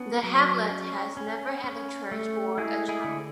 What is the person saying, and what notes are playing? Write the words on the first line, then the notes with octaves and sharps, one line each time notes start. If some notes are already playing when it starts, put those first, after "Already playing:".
The hamlet has never had a church or a chapel.
Already playing: B3 C#4 D4
F#3
C#4
C#4
C#4
A3
G#3 E4 G#4
E4 G#4
D3